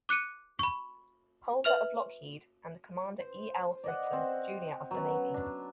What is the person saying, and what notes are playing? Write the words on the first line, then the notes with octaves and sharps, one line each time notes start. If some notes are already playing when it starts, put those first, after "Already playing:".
Pulver of Lockheed and Commander E. L. Simpson, Junior of the Navy.
D6 F#6 C#7 D#7
B5 C#6
B4 E5 F6 F7
C5
D5 D#5 F#5
C4
F#3 B3 C#4
D4